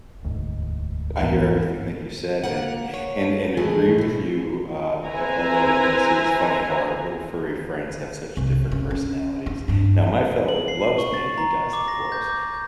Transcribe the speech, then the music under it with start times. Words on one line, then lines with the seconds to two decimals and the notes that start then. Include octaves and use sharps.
I hear everything that you said, and and and agree with you, uh, i although it also is funny how our little furry friends have such different personalities. Now, my fellow loves me, he does, of course,
0.23 E1 D2 G#2
1.19 A#1 E2 G#2 E3 B3 A#4
2.44 A#3 A#4 F#5
2.94 C#5
3.57 D#2 E3 G#3 A3 G#4
3.98 B2 E3
5.07 C4 E4 B4 C5 G#5 A#5
8.37 C2
8.71 C#4
8.91 C#4
9.46 D#4
9.68 G2 D4
10.48 F#7
10.68 C7
10.98 C#6
11.14 A6
11.38 A#5
11.73 D6
11.88 A#6
12.12 G6
12.29 D6
12.54 G6